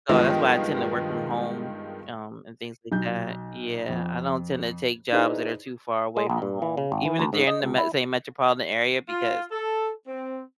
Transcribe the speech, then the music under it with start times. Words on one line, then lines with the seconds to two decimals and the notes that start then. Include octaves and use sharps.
So, that's why I tend to work from home, um, and things like that. Yeah, I don't tend to take jobs that are too far away from home, even if they're in the m same metropolitan area because
0.09 G2 D#3 F3 G#3 B3 F4
2.92 B1 G6
3.88 F2
5.12 D#4 E4 G#4 B4 C5 D5
6.17 G#3
6.30 A#1
6.42 G2
6.62 E3
6.77 C#3
6.92 G#1
7.05 E3
7.19 D2
7.33 G#2
7.47 D#5
7.63 C#2
7.78 E4
9.09 F4
9.52 A4
10.08 C4